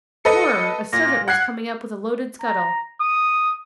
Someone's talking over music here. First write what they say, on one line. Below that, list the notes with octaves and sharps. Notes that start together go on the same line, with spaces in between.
Horror! a servant was coming up with a loaded scuttle.
A4 B4 D#5 C#7
A#2 A#6
F#5 F#6 G#6 C7
A#5
D#6